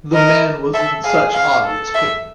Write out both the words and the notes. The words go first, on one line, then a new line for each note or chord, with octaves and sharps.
The man was in such obvious pain.
A#4 D#5
A4 E5
G#4 F5
F5
A4
E5